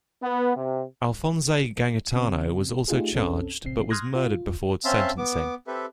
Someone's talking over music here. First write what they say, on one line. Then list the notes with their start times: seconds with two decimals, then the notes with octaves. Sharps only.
Alphonse Gangitano was also charged but was murdered before sentencing.
0.22 B3
0.56 C3
2.12 C#3 C4
2.88 A3 D#4 F4 G4 G#4
3.13 B1 F2 C4 C#4 A4
3.64 A1 C3 C4 C7
3.90 C6 D#6 F6 F#6 G#6 A#6
4.15 F4
4.85 C4 C#4 E5 F5 A5 C6
5.18 B3 D6
5.67 C4 G4 A4 B4 E5